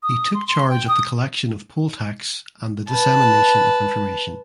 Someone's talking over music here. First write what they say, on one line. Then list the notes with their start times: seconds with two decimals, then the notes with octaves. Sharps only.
He took charge of the collection of poll tax and the dissemination of information.
0.03 D#6
0.34 C6
0.48 C6
0.70 G5
0.88 D#6
2.89 B4 A5